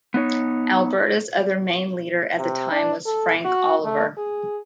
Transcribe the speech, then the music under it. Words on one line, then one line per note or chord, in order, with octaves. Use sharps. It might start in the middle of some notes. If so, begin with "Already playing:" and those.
Alberta's other main leader at the time was Frank Oliver.
B3 D#4 C#5
C3
D4
A4
F#4
A3
G#4